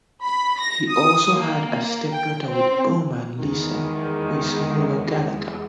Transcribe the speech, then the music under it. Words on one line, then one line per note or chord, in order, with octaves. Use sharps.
He also had a stepdaughter with Baumann, Lisa Weissmuller-Gallagher.
B5
A#6
D#6
A#3
G5
C4
E2 D#3 G#3